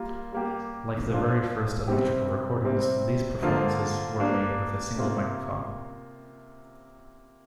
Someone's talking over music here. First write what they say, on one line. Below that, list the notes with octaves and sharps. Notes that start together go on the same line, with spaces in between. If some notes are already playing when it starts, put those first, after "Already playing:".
Like the very first electrical recordings, these performances were made with a single microphone.
Already playing: G3 A#3 F4
G3 A#3 G4
A#2 F3 D4 F4
C3 G3 C4 G4
C3 G3 C4
D3 F3 A#3 F4
G3 A#3 D4
C3 A#3 F4